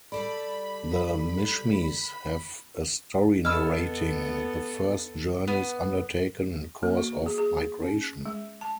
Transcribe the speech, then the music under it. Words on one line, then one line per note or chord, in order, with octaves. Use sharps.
The Mishmis have a story narrating the first journeys undertaken in course of migration.
G3 A4 D5 B5
B3 A4 D#5 B5 E6 F6
B3
A#3
F#4
G#4
G#4
C#4
G#3
A5